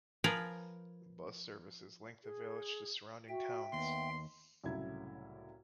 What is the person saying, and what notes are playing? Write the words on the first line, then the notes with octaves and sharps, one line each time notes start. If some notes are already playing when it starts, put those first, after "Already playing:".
Bus services link the village to surrounding towns.
F3 F4 G#4 A#4 B4
G#4
F#4 E5 G5
D#2 B3 C6
C2 F#2 A2 C#3 E4 G#6